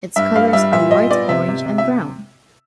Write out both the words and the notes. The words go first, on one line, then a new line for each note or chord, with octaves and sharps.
Its colors are white, orange, and brown.
G2 E5
G2 F5
G3 E5
A#2 E5
A#2 D#5
B3 D5
C3 E5
C3
C3
E5